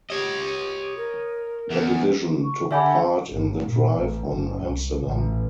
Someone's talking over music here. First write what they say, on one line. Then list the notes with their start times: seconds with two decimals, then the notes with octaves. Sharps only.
The division took part in the drive on Amsterdam.
0.10 G4 C#5 D#5
0.97 A#4
1.70 E2
2.43 C#6
2.71 D3 G4 E5 F#5 G#5 B5
3.30 G1
3.66 A#2
3.97 A1
4.29 F#1
4.66 C2
5.05 A1